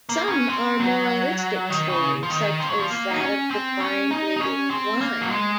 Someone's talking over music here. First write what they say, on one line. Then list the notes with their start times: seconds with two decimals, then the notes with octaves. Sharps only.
Some are moralistic stories such as that of the "blind leading the blind".
0.09 A#3
0.29 C#4
0.49 C4
0.80 F#3
1.70 D#3
1.89 C#3
2.23 F3
2.30 D#3
2.60 F3
2.70 F#3
2.80 F3
2.90 A#3
3.11 D#4
3.20 C#4
3.51 C4
3.81 C#4
4.11 D#4
4.36 D#4
4.41 C#4
4.71 C4
5.01 A#3
5.22 F#3
5.31 G#3